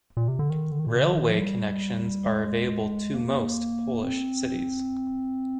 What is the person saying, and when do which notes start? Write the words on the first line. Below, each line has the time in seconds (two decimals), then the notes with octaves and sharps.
Railway connections are available to most Polish cities.
0.17 A#2
0.28 C3
0.39 D3
0.50 D#3
0.72 D3
0.79 D#3
0.87 A#2
0.95 C3
1.02 D3
1.09 D#3
1.29 F3
1.38 G3
2.26 G#3
3.14 A#3
4.03 C4